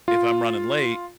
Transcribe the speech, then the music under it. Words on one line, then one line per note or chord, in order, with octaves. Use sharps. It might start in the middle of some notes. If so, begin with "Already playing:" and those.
if I'm running late
F4